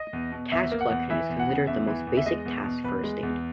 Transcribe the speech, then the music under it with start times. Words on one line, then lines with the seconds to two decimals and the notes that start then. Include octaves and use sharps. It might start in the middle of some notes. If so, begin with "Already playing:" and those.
Tax collection is considered the most basic task for a state.
Already playing: D#5
0.13 E2
0.32 B2
0.52 E2 E5
0.72 A#3
0.81 F#5
0.90 E2
1.10 E3 E5
1.30 E2
1.39 F#5
1.49 C#3
1.67 E2 E5
1.87 E3
2.07 E2
2.17 E5
2.26 G#3 D#5
2.45 E2
2.64 B2
2.84 E2 B4
3.03 G#3
3.23 E2